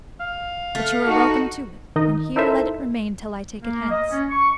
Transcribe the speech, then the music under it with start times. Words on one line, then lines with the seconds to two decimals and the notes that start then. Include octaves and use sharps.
But you are welcome to it; and here let it remain till I take it hence.
0.20 F5
0.75 A3
1.07 D#4 F#4
1.96 D#3 D#4 D#5
2.36 D#4 E4 A4 A#4 C5 E5
3.63 A#3
3.91 D#5
4.11 C#4
4.31 C#6